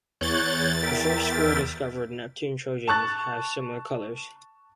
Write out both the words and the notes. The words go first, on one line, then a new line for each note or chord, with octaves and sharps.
The first four discovered Neptune trojans have similar colors.
E2 C#5 F#6 G6 A6
A#4 E5 G5
A5 C#6 F#6 A6